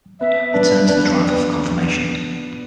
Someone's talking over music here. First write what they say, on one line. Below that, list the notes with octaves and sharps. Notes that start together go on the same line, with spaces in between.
He turned to the driver for confirmation.
B3 E5
D4 B4
D4 B4
B3